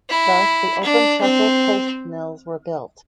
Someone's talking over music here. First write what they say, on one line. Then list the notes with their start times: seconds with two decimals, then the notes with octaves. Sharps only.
Thus the open trestle post mills were built.
0.09 E4
0.83 D4
1.22 C4